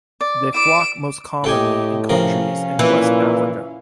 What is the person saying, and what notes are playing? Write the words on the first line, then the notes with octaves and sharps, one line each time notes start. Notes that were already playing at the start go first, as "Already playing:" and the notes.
They flock most commonly in countries in West Africa.
D5
E4 D5 D7 E7
A2 G4 A4 D#5 G5 G#5
C3 F3 C#4 A#4 F5
A#2 E3